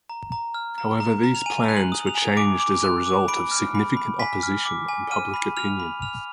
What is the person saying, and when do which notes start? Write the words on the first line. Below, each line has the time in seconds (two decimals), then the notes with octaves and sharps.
However, these plans were changed as a result of significant opposition and public opinion.
0.10 A#5
0.32 A#5
0.54 F6
0.78 A#5
1.00 A#5
1.23 A#5
1.35 F7
1.46 G#5 D#7
1.69 F#6
1.76 F#7
1.92 D#6
2.07 F7
2.15 G#5
2.37 D6 D7
2.60 D6
2.83 F#6
3.06 D6
3.28 B5 D7
3.51 F6
3.75 B5
3.97 B5
4.19 G#5 B6
4.43 F6
4.65 D6
4.88 G#5
5.11 F6 D#7
5.34 B5
5.57 F6 F7
5.80 B5
6.02 F6 F7